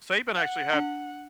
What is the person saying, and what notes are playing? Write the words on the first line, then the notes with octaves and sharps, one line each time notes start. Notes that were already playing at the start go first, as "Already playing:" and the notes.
Saban actually had
F#5
D4